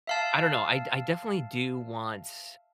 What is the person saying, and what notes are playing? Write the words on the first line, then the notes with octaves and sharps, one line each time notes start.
I don't know. I d I definitely do want
E5 F5 A5